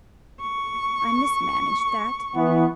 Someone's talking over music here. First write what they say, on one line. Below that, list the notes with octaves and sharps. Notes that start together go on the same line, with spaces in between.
I mismanaged that.
C#6
E3 B3